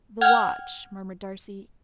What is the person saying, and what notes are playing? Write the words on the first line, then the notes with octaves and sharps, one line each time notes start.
"The watch," murmured Darcy.
F#5 G5 F6 G#6